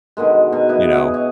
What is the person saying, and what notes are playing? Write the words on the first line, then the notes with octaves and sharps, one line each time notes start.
you know,
B2 D3 D#3 G#3
B2 G#5 A#5
E4 B4 D#5
F#4 G#4
C#5 D#5